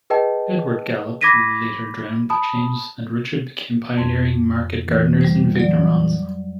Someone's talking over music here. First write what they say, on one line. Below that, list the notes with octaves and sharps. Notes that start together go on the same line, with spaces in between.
Edward Gallop later drowned but James and Richard became pioneering market gardeners and vignerons.
G#4 B4 D#5 G5 A5
B5 D6 G#6 A#6 B6 D#7
A5 B5 D#6
F2 C6
A#2 D3 E3
G3 C5
F#3 D5